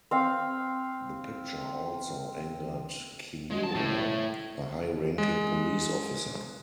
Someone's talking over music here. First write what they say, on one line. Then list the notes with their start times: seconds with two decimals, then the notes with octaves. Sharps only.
The picture also angered Kimura, a high-ranking police officer.
0.11 C4 F5
3.50 G#3
3.63 A5
3.75 A2
5.18 G#3